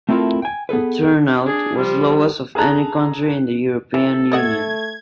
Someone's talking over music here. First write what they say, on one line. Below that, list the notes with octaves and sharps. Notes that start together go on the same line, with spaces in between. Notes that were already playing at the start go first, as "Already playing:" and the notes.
The turnout was lowest of any country in the European Union.
A3 C4 E4 F4 A4 A#4
G5 G#5
B3 G#4 A4 B4
D4 G#4
F3 G3
G#4 A4 A5 A#5 F#6
E3 A4
A3 D5 D#5 F#5 G#6